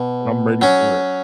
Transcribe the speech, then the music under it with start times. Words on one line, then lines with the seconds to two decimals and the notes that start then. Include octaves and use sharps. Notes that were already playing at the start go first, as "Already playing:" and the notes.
I'm ready for it.
Already playing: B2
0.61 F#3 C#4